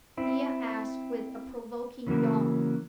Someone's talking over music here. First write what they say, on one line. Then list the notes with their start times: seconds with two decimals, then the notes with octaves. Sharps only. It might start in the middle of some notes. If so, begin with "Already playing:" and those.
Thea asked with a provoking yawn.
0.17 C4 E4
2.07 C#3 E3 F#3 A#3